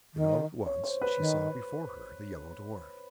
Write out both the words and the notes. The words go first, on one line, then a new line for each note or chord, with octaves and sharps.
Then all at once she saw before her the Yellow Dwarf.
D#3
C#5
C5
B4
D#3